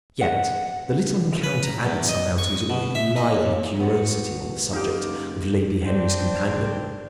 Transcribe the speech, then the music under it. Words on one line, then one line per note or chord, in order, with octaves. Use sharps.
Yet the little encounter added somehow to his already lively curiosity on the subject of Lady Henry's companion.
F#5
B4
A#5
E2
D#5
C#6
B2
E5
D#4
D#2
B3 C4 F#4
F#1 D#4 F4 G4
C4 D4 C5